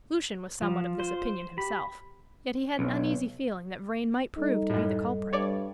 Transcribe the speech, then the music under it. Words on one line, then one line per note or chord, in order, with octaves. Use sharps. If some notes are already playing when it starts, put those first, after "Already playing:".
Lucian was somewhat of this opinion himself, yet he had an uneasy feeling that Vrain might prove to be the culprit.
F3 F4
C5
G4 B5
B1
G3 D#4 A4 D#5
F#2 A2
G2 C#5 D5 D6